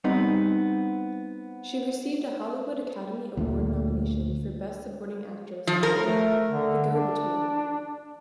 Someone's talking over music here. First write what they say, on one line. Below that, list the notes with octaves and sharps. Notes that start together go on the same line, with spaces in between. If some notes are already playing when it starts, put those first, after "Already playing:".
She received a Hollywood Academy Award nomination for Best Supporting Actress for "The Go-Between".
G3 B3 C4 D#4
D2 A#2 A3
F3
A#4
A3
D3
D4